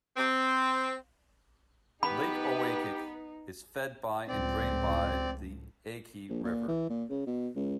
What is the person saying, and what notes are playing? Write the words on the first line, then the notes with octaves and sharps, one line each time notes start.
Lake Ouiachic is fed by and drained by the Yaqui River.
C4
B3 D#4 G4 B4 B5
C#2 A2 F3 C4 D5
A#1
A#2
E3
A#2
C#3
B2
C#2